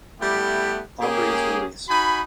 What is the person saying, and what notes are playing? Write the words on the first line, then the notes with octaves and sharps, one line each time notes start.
Aubrey is released.
G3 A3 B3 E4 G4
A#3 C#4 G4 G#4
D#4 F#4 G#5 B5